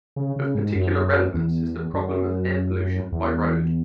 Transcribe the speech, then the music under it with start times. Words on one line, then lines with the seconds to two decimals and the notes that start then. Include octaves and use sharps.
Of particular relevance is the problem of air pollution by road.
0.16 C#3
0.36 C#3
0.55 G#2
0.75 F#2
1.34 E2
1.94 F#2
3.12 E2